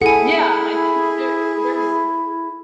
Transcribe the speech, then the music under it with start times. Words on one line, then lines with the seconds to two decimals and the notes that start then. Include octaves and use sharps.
yeah, I think there there's
0.02 E4 G#4 A4 F#5 G#5